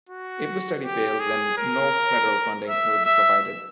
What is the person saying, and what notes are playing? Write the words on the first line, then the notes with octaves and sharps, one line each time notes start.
If the study fails, then no federal funding will be provided.
F#4
G4
G#4
A#4
E5
E5